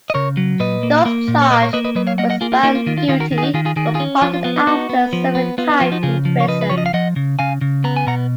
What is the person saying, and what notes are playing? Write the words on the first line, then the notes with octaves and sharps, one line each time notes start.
Those charged were found guilty, but pardoned after serving time in prison.
D#5
C#3 A#4 C#5
F#3
A#2 B4 D#5
A#3
A#3
A#2
C#5
A#3 B4 D#5
A#4 C#5
A#3 B4 D#5
B4 D#5
F#3 B4 D#5
C#5 F5
A#3 D#5 F#5
D#5 F#5
A#3 F4 G#4
F4 G#4
A#3 D#4 F#4
F4
D#3 F4
F4
D#3 F4 G#4
F#4 A#4
D#3
G#4
D#4 F#4
D#3 F4 G#4
F4 G#4
D#3 G#4
F#4
F4 G#4
C#4
F3 F4 G#4
F4
B3 F4
D#4
B3 D#4 F#4
B3
F3
B3
B3 F4
D#4
F3 F4
D#4 F#4
C#3 F4 G#4
F3
C#5
C#3 B4 D#5
B4
F3 C#5
D#5
F5
F3 D#5 F#5
C#3
C#3 F5 G#5
C#3
B3 A#5
G#5
B2 F#5 A#5